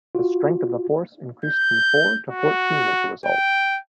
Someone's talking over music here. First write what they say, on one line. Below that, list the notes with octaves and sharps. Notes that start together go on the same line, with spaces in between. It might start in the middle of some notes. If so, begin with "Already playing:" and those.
The strength of the force increased from four to fourteen as a result.
F4 F#4
G6
F#4
G5